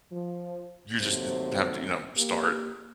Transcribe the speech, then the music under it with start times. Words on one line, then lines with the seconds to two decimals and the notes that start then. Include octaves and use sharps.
You just st have to, you know, start
0.11 F3
1.00 D#2 C3 F#3 A3 C5
2.16 A#3 G4